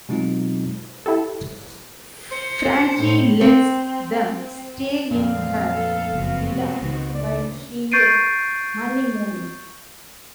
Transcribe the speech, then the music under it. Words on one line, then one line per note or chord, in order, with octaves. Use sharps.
Frankie lets them stay in her villa while she is honeymooning.
B2 F#3 G#3 C4 D#4 F4
E4 G4 A4
C5 C#7
A2
C4
F2 A#2 C4 F5
D2 B3 A4
F#1 B3 C4 F#4
C3
C#2 D#3
D2 A#2 C#3 D5
C#6 G6 A6 C7 D7 D#7